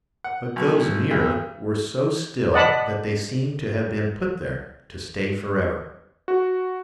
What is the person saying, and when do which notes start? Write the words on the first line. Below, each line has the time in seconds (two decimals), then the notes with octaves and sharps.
But those nearer were so still that they seemed to have been put there to stay forever.
0.24 F#5
0.56 B1
1.11 B1
2.53 D5 D#5 F#5 A5 B5
6.28 F#4